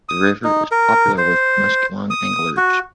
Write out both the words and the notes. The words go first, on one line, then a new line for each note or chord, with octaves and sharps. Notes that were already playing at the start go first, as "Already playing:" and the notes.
The river is popular with muskellunge anglers.
D#6
D#4
A#4
C5
D#6
F#4